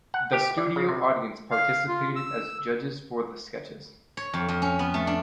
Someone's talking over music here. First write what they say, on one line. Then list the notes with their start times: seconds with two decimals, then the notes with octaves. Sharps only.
The studio audience participated as judges for the sketches.
0.14 F#5
0.33 G4
0.58 D5
0.76 C#3
0.89 C3
1.51 F5
1.88 F4
2.16 E6
4.17 C#5
4.33 F2
4.48 F2
4.62 C#4
4.79 B3
4.94 A3
5.07 D4